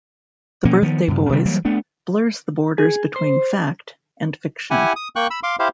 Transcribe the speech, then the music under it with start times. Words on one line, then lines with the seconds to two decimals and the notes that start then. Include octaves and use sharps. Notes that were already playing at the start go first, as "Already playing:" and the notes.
"The Birthday Boys" blurs the borders between "fact" and "fiction".
0.65 B2 F3 A#3 C#4
0.82 D#3 F3 B3
1.08 G2 C#3
1.29 C3 D#3 G3
1.45 E3 F#3 G3 A#3
1.65 A3 B3 D4
2.78 G#4
3.16 C5
4.71 E4 G4 F#5 G#5
4.96 D#6
5.16 A#3 G5 C#6 F#6
5.30 B5 E6
5.43 F5 C6 D6
5.59 E4 G4 C5 F5